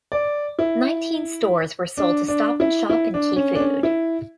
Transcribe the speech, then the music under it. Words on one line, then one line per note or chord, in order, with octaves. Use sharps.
Nineteen stores were sold to Stop and Shop and Key Food.
D5
E4
D4
D4
E4
E4
D4
C#4
D4
C#4
E4